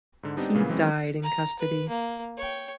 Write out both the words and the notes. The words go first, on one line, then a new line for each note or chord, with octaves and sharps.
He died in custody.
G#2 D3
G3 B3 C4 D4 D#4 G4
A#2 C#3 E3 A#3 B3
E3 F#3 G#3 C4 C#4
A#5
B4
A#3
C#5 G5